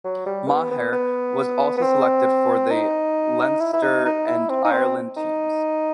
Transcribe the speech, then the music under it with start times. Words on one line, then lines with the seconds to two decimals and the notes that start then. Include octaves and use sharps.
Maher was also selected for the Leinster and Ireland teams.
0.04 F#3
0.26 G3
0.48 B3
0.71 B3
0.92 B3
1.77 B3
1.82 C4
2.71 D#4
3.60 E4
3.73 E4
3.82 D#4
4.05 D#4
4.27 E4
4.49 C4
4.65 D#4
4.72 C4
5.17 D#4